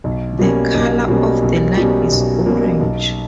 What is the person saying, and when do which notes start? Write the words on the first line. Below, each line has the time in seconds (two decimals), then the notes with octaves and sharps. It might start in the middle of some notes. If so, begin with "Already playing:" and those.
The color of the line is Orange.
0.04 B1
0.39 B2 G3 A#3 C#4
0.74 B1
1.08 B2 G3 A#3 C#4
1.42 B1
1.77 B2 G3 A#3 C#4
2.12 B1
2.46 B2 G3 A#3 C#4
2.80 B1